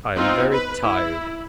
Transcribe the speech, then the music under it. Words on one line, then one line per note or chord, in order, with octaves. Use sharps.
I am very tired.'
B3 C4 D#4 F4
B4
E4